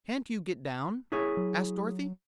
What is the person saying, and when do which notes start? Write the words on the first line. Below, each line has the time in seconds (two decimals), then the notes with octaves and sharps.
"Can't you get down?" asked Dorothy.
1.12 E4 G#4 C#5
1.37 F#3